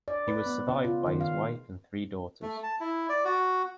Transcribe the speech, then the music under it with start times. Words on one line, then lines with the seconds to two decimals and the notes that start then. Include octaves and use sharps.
He was survived by his wife and three daughters.
0.08 D5
0.28 B4
0.46 B3
0.68 C#3
0.84 F4
1.06 D#3
1.21 F5
2.42 A3
2.63 A5
2.80 E4
3.09 D5
3.25 F#4